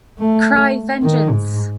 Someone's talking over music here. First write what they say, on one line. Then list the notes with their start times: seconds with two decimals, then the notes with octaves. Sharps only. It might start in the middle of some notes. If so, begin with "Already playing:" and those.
Cry Vengeance!
0.19 A3
1.03 D#3
1.31 G#2